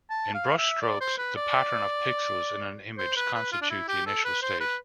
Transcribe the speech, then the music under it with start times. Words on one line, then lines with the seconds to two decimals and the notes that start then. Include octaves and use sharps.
In Brush Strokes, the pattern of pixels in an image constitute the initial state.
0.10 A5
0.34 F5
0.58 E5
0.82 D5
1.01 C5
1.18 B4
1.36 D5
2.98 C5
3.16 B4
3.35 B4
3.52 F4
3.62 D4
3.70 E4
3.88 G4
4.06 A4
4.25 B4
4.42 C5
4.60 B4